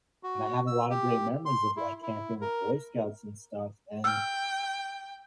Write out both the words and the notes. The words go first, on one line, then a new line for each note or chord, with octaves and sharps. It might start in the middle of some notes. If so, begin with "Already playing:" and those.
and I have a lot of great memories of like camping with Boy Scouts and stuff. And
F#4
E6
G4
C6
E4
E4
A#4
G5 E6 F6